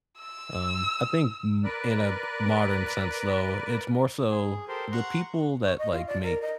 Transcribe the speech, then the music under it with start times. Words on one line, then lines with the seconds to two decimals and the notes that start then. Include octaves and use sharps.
Um, I think m in a modern sense though, it's more so the people that, like, make
0.19 E6
1.64 A#4 B4 D5
4.30 G#4
4.68 G4 A4 A#4 C5
4.92 F#5 A#5 C6 C#6
5.65 C#6
5.78 D#5
5.92 F4
6.07 D5
6.22 A#4
6.42 D#5